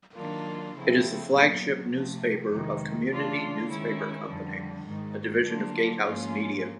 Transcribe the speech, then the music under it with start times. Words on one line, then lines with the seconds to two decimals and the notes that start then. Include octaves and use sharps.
It is the flagship newspaper of Community Newspaper Company, a division of GateHouse Media.
0.15 D#3 F#3 A#3 D4 F4
0.74 C#3 F3 A3 C4 E4
1.33 A#2 F#3 B3
1.92 C3 F3 A3
2.51 F2 C3 D#3 G#3
3.10 C#3 E3 A3 D4 F4
3.69 D#3 G#3 C#4 E4
4.28 F2 D3 G3
4.87 G#2 D#3 G#3
5.46 D3 F#3 A#3 D4 F4
6.04 G#2 F3 A#3 C#4 F4